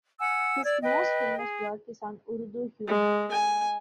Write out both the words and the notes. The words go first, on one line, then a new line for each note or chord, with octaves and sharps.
His most famous work is on Urdu humour.
F#5 G#5 E6
D5 E6 G#6
B4 D#5 G5
G#4
G#3
G#5